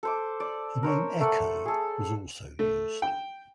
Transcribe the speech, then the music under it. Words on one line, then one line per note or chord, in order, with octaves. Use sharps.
The name "Echo" was also used.
A4 C5 D6
D5
A#4 C5 C#5
A3 A4 D5 F#5
G#4 A4
A3
G5